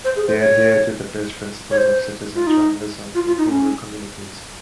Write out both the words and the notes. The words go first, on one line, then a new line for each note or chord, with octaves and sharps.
They adhere to the best principles of citizen journalism for rural communities.
C5
G#4
C5
C#5
C#5
C5
F4
D#4
F4
F4
D#4
C#4